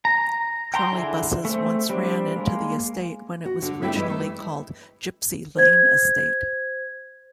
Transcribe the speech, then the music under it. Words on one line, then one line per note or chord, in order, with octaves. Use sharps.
Trolleybuses once ran into the estate when it was originally called Gypsy Lane Estate.
A#5
G5 A#5 C6
D3 E4 G#4
A3 C4
G3 C4 D4
G#3 A#3
F#4
D3
G3 A3 C4 D4 E4 A4
E3 G3 G#3 E4
A3
C5 G#6